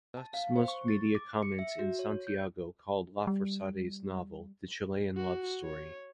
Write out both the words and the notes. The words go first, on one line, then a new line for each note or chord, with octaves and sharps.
Thus most media comments in Santiago called Lafourcade's novel the Chilean love story.
A5
F5
C5
C#6
A6
D6
C#7
E5
F#4
C#5
G6
G3
F#4
C#5